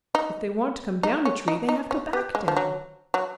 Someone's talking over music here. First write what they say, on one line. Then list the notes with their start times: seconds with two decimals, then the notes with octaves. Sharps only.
If they want to come down a tree they have to back down.
0.15 D#4
1.03 D#4
1.25 C#4
1.48 D#4
1.69 D#4
1.91 C#4
2.13 B3
2.35 G#3
2.48 F3
2.57 F#3
3.14 F#3